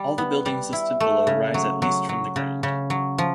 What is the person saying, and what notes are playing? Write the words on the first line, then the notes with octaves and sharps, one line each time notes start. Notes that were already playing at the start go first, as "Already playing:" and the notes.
All the buildings listed below rise at least from the ground.
Already playing: G3
B3
G3
E4
A3
C#3
F#3
F#3
F#3
C#3
C#3
F#3
F3